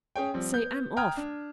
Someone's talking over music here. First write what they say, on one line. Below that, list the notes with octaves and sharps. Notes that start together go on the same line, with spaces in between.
Say, I'm off!
C#4 G#4 C#5 G5
F3 G3 C4
B3 G6
G5 A#5 D#6 F6 G#6
D4